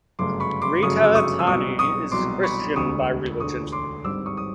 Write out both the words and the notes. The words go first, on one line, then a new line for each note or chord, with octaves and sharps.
Rita Tani is Christian by religion.
G1 F#2 C#3 F#3 A3 C6 D6
B5 C#6
C6 D6
G1 F#2 C#3 F#3 A3 C#6 D#6
E6
C#6 D#6
E6
C2 B2 F#3 C#6 D#6
C#6 D#6
C2 B2 F#3 C6 D6
B5 C#6
E1 D2 D3 C#6 D#6
E1 D2 D3 C#6 D#6
C6 D6
G#1 G2 D#3 G3 C4 D6 E6
C#6 D#6
D#6